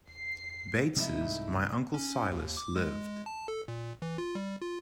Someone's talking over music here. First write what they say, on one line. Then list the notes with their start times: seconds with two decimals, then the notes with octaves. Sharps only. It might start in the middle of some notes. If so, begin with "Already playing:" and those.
Bates's "My Uncle Silas" lived.
0.11 C7
0.96 C3 F3 G#3 A3 D#4 E4
1.20 C2 G#2
1.94 C#4
2.31 D#2
2.57 D6
2.76 G#3
3.26 A5
3.48 A4
3.68 A#2
4.02 E3
4.18 F4
4.35 G3
4.62 F4